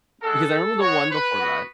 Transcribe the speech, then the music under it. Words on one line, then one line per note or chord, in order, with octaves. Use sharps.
Because I remember the one before that.
G#3 D4 F#4 A4
B3 F#4 C#5
B4
B3 F#4